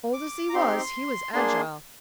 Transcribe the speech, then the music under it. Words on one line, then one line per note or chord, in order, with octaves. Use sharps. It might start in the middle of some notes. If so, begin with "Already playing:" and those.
Old as he was, he was agile.
D6
A#5
C4 D#4 G4 C6
A#3 D4 G#4 C6